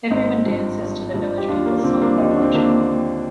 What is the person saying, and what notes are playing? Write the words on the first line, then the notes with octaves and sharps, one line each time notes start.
Everyone dances to the Village People's song "Macho Man".
G#1 C4 D#4
G2 F3
G#1
G2 F3
G4
D#2 D4 F4
A#3
A#3
D3 F3 C4
A#3 D4
D#2 D#4
D4
C4
D3 F3 A#3 D4